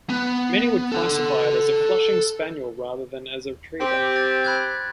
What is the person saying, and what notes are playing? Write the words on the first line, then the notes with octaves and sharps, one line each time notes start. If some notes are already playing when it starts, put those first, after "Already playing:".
Many would classify it as a flushing spaniel rather than as a retriever.
B3
A4 F#5
C4 G4 C6
A6
B5 F#6 G#6